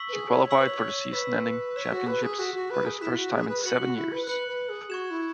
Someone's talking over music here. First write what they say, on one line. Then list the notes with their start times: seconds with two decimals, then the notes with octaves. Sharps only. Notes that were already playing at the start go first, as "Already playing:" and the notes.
She qualified for the season-ending championships for the first time in seven years.
Already playing: C#6 E6 B6 F#7
0.09 B4
0.13 G#4
0.30 C#5
0.50 C#5 C#6 E6 B6 F#7
0.58 B4
0.67 C#5
1.13 B4 E6 B6 E7
1.76 C#5 E6 B6 E7
1.92 F#4
2.07 B4
2.23 G#4
2.39 F#4 F#6 B6 E7
2.55 F#4
2.70 B4
2.86 G#4
3.01 E4 F#6 B6 E7
3.17 F#4
3.33 G#4
3.49 B4
3.64 F#4 F#6 C#7 F#7
3.80 F#4
3.96 E4
4.12 B4
4.27 B4 F#6 C#7 F#7
4.48 B4
4.69 G#4
4.90 F#4 C#6 G#6 E7
5.11 E4